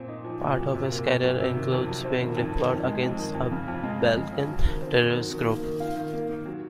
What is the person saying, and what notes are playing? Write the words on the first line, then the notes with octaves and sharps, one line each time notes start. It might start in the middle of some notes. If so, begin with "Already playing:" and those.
Part of his career includes being deployed against a Balkan terrorist group.
Already playing: A#2 F3 C4
D#4
F3
A#2
F#3
C3
A#3
C#4
F#3
C3
D#3
F2
F#3
C4
D#3
F2
D#3
F2
G#3
F2
D#3
F2
C#3
F2
G#3
F2
C#3
F2
F#3
D#3
C4
D#3
F#3
D#3
A#3
D#3
F4
D#3
A#3
D#3
F#3